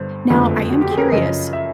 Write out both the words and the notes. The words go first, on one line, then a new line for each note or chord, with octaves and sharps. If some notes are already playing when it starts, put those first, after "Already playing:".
Now, I am curious.
Already playing: G1 G2 D3 C5
F#1 F2 D3 F3 A3 B4
F#4
G4
G#4
A#4
B4
F#2 C#3 F3 D#5
E5